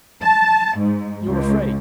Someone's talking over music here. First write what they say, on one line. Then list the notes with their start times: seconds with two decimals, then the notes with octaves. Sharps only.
You're afraid!
0.22 A5
0.78 G#2
1.26 C#2